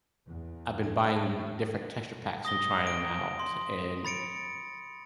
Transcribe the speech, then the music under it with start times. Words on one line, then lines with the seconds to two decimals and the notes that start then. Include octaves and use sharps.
I've been buying different texture packs and trying 'em out and
0.25 E2
2.45 D#6 A#6 G7
2.87 D7
3.39 C6
4.05 B5 A6 C#7 D7